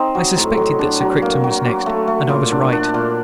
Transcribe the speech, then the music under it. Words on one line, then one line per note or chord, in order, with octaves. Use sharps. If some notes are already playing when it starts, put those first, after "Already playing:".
I suspected that Sir Crichton was next, and I was right.
Already playing: C4 D#4
F#3
A2
F#3
D4
F#3
A#3
F#3
F#3
A3
A3
A#2
D4
D4
A#2